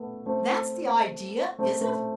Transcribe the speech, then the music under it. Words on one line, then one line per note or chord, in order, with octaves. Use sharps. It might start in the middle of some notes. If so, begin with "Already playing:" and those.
That's the idea, is it?
Already playing: A3 B3
A3 C4
A3 C4
A3